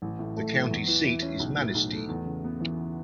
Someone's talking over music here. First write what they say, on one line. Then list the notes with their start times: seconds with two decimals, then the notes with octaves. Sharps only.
The county seat is Manistee.
0.02 A1
0.19 A2
0.37 A3
0.54 E3
0.71 E2
0.88 E3
1.06 E4
1.22 C#4
1.40 B1
1.57 A2
1.75 B1
1.92 A3
2.08 E2
2.26 C#3
2.44 B3
2.61 E3